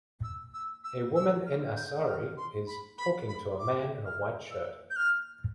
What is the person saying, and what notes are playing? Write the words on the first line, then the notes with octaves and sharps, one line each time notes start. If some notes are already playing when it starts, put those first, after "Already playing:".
A woman in a sari is talking to a man in a white shirt.
E6
E6
E6
E6
F6
G6
F6
C6
B5
B5
B5
D6
F6
E6
G6
F6